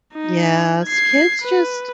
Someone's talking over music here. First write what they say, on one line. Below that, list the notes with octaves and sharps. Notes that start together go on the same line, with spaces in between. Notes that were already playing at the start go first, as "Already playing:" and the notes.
Yes, kids just
D#4
G#6 C7
B4